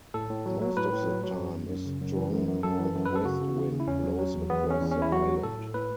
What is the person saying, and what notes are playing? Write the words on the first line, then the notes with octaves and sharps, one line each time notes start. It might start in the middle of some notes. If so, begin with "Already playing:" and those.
Most of the time a strong northwest wind blows across the island.
A2 A4
A2
F#3
F#3
A2 B4
A2
F#3
F#3
F#2
F#2
F#2
C#3
F#2
E3
F#2
F#2
F#2 A4
E3
F#2
F#2 B4
A4
C#3 F#4
C#3
C#3
C#3
E4
E2 C#4
F#3
F#3
E2
E2 B3
E2 C#4
E2
E2 C#4
E4
F#3 F#4
F#3
A2 A4
A2
A2 B4